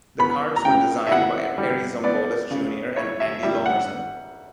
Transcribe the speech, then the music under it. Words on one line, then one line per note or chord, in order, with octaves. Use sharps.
The karts were designed by Perry Zombolis Junior and Andy Lomerson.
B3 B5
A#5
C#3 G5
E5
E4 F#5
G3
B3 D5
C#3
E4 C#5
E5
G3 E5
F#5